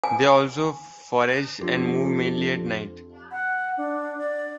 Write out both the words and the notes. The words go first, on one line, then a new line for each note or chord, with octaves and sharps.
They also forage and move mainly at night.
G#5
F2 D4 F4 G4
F#5
D4
D5